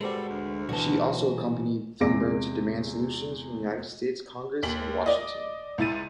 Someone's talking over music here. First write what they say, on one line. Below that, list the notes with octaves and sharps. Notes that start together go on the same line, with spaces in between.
She also accompanied Thunberg to demand solutions from the United States Congress in Washington.
G3 G#3 F#4 A4 B4 C5
D2
B1 E3 F#4 B4 D#5 A5
E2 C3 G#3 D6 A#6 D7
D#2 B6 F#7
D5 D#5
C#2 E4 A6 D#7